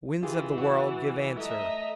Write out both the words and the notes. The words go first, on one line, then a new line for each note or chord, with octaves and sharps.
Winds of the world, give answer!
E3 F4 G4 G#4
F#4
A3 D#5 E5 A#5